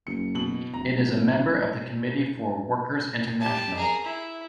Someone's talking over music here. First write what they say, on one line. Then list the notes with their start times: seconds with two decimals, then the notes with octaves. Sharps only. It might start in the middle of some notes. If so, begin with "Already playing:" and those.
It is a member of the Committee for a Workers' International.
0.07 F#1 C#7
0.35 B2 F#7
0.74 D1 A#5
3.41 G4 A5
3.76 G#4 A#4
4.05 E4